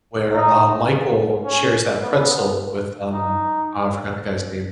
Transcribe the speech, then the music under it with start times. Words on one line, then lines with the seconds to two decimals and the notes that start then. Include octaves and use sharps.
where, uh, Michael shares that pretzel with, um, oh, I forgot the guy's name,
0.33 D#4
1.45 C#4
2.01 B3
3.13 D#4